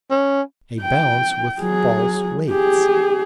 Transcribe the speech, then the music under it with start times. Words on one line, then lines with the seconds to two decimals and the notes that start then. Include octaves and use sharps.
A balance with false weights.
0.11 C#4
0.81 G5
1.60 F#3 G#4
2.50 G4 G#4